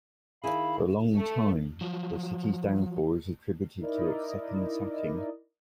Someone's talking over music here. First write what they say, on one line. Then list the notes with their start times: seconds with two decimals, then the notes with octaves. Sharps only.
For a long time, the city's downfall was attributed to its second sacking.
0.43 D#3 E4 G#4 F5 B5
1.16 A3
1.81 F3 F#3
3.81 D#4 E4 A#4 D5 D#5